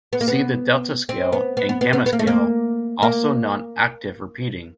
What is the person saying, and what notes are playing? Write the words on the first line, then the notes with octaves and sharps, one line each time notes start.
See the Delta scale and Gamma scale, also non-octave repeating.
B3
A#3
B3
C4
B3
B3
B3
B3
B3
B3
A#3
A3
A#3
A#3